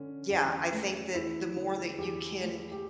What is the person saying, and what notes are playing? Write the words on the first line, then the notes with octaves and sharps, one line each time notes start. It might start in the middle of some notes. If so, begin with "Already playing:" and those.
yeah, I think that the more that you can
Already playing: D3 C#4
E2
A3
E2 E4
D3
E2 G4
A3
G4